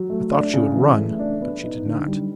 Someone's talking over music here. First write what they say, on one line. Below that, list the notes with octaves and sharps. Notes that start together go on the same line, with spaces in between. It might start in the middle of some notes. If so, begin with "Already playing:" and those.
I thought she would run, but she did not.
Already playing: F#3
A3
D4
C#3
E3
A3
D4
B3
D#4
D3
G3